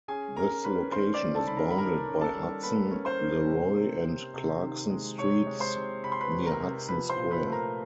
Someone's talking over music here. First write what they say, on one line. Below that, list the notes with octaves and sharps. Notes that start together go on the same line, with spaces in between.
This location is bounded by Hudson, Leroy and Clarkson Streets near Hudson Square.
C#4 G#4 G#5
C#4 A#4 A#5
C#4 B4 B5
D#3 C5 C6
D5 D6
C#4
A4 A5
D#3 B5
A#4 A#5
B5
D#3 A#4 A#5
C#4
A4 A5
G3
A#3 B4 B5
C#4
C5 C6
A#3
C3
C3
C3
C3
D#3
G#3
C3 C#5 C#6
G#3
C5 C6
C3
C3 B5
C6
B4 B5
C3
A#4 A#5
C3
F3 B4 B5
C5 C6
A#2
B4 B5
A3
A#4 A#5